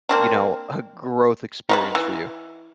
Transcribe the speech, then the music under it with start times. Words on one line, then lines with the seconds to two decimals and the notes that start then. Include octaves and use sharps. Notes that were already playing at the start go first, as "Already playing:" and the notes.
you know, a growth experience for you.
0.09 A#3 C4 D4
1.69 D#4 A#4 B4
1.95 E3